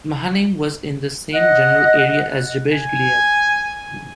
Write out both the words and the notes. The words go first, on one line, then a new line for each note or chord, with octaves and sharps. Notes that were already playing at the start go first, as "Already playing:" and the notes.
Mahanaim was in the same general area as Jabesh-gilead.
D#5 F#5
G#5